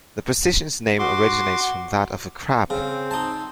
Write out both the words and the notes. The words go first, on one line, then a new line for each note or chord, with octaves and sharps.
The position's name originates from that of a crab.
F#4 C6 D6
C#3 C4
D#4 A5